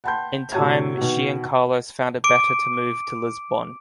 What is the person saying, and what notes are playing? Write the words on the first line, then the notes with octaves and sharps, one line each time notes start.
In time she and Carlos found it better to move to Lisbon.
F#5 G5 A5 B5 C6 G6
A2 C3 F#4 C#5 A5 G#6
B2 D#3 F#4
D6 D7